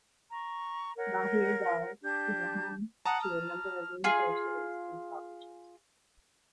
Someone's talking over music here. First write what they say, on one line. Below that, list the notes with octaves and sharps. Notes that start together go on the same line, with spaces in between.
Bahir Dar is home to a number of universities and colleges.
A#5 C#6
A#4 C#5 F#5
D4 G4 A5 G6
F#5 A5 A#5 D#6
F6
F4 G#4